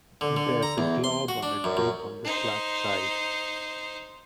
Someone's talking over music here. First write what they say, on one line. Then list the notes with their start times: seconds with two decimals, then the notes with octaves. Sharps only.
There's a Glob on a dig on the slack side.
0.21 D3
0.37 D3
0.63 A#5
0.78 E2
1.04 C6
1.28 F#4
1.43 D4
1.64 F#2
1.77 F#2
2.24 D#4 C5